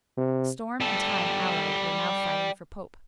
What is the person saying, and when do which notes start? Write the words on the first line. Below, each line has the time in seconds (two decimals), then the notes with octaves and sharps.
The storm and time allied were now fighting for Pope.
0.17 C3
0.80 G3 A4